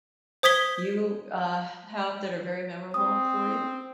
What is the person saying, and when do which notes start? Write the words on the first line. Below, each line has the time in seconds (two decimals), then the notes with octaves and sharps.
you, uh, h have that are very memorable for you?
0.43 C5 D#6 G#6 B6 G7
2.94 C4 D#6